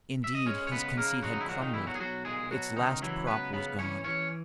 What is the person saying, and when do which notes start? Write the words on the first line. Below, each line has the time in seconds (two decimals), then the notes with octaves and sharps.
Indeed, his conceit had crumbled; its last prop was gone.
0.24 E5
0.35 D#5
0.46 G#3 C#4 C#5
0.67 C#5
0.71 C#3 B3 B4
0.97 C#3 A#3 A#4
1.23 F#3 G#3 F#4
1.33 D#4
1.41 E4
1.48 A#2 F#3 F#4
1.61 D#3 D#4
1.74 B1 E3 E4
1.87 F#3 F#4
1.95 G#4
2.00 B1 F#3 F#4
2.25 A#2 G#3 G#4
2.51 B2 F#3 F#4
2.76 C#2 D#3 D#4
3.02 E3 F#3 E4
3.27 C#2 B3 B4
3.53 C#3 B3 B4
3.79 E3 C#4 C#5
4.04 E3 C#4 C#5